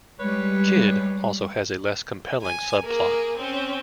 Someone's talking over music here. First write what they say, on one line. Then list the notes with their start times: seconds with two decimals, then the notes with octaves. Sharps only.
"Kid" also has a less compelling subplot.
0.20 G3 G#3 B4 C#5
2.42 G#5
2.83 A#3 G#4
3.37 C4 C#4